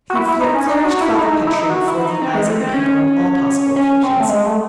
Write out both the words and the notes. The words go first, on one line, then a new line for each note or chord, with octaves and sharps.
He flourished Father Petre before the eyes of the people on all possible occasions.
F#4
E4
E4
D#4
C#4
D#4
F#4
E4
D#4
E4
D#4
F#4
E4
D#4
C4
G#3
A3
C4
C#4
C#4
C4
A3
G#3
A3